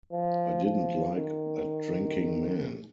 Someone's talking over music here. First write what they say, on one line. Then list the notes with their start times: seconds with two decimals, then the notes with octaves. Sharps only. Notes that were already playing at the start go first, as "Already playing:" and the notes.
I didn't like that drinking man.
0.12 F3
0.65 F3
1.16 D#3